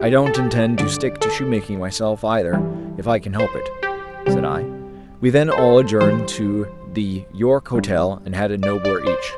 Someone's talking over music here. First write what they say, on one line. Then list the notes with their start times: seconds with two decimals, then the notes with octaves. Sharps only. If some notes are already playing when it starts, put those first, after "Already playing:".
"I don't intend to stick to shoemaking myself either if I can help it," said I. We then all adjourned to the York Hotel and had a nobbler each.
Already playing: E4 G4
0.26 A4
0.35 G4
0.78 G1 G2 D3 D5
1.21 A4
2.52 G1 G2 E3 G3
3.40 C5
3.83 G4
4.26 D2 C3 G3 G4
5.52 C5
5.58 A4
6.01 G1 G2 E3 G3 C5
7.75 G1 G2 G3
8.63 D5
8.85 D5
9.07 C5